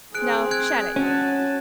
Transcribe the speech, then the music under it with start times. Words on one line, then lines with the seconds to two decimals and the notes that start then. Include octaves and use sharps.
No, shut it.
0.15 C4 G#4 F#6 D7
0.51 F#6 G#6 D7
0.96 C#4 F#4 A5